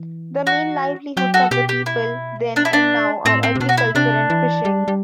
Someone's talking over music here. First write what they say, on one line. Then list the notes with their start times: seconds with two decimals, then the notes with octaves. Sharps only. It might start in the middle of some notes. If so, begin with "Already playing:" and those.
The main livelihoods of the people, then and now, are agriculture and fishing.
Already playing: E3
0.47 F#4
1.17 F#3 G4
1.34 F#4 A4
1.51 B2 G4
1.69 G4
1.86 E4
2.56 D4
2.65 E4
2.73 D4
3.25 A2 C4
3.43 C4
3.55 C3
3.60 B2 D4
3.69 F#4
3.78 E4
3.95 C3 D4
4.30 E3
4.65 G3
4.88 G3